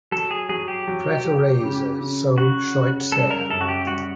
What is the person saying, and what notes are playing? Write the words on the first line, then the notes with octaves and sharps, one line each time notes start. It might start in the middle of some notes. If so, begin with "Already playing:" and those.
Pretorese So 'schoit sair.
F#3 A4
G#4
F#3 G#4
G4
F#3
F#3
C#3
C#3
C#3 F#4
C#3
G3 A4
A#4
F#2 A4
F#4
G4
G3 F#4